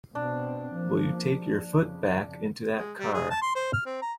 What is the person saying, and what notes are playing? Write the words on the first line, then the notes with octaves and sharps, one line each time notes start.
Will you take your foot back into that car?
B2 B3 C4 D4
F3 A#3
F2 C#3
G#3
G3
G#4
A5
C6
C5
F6
C4
A#5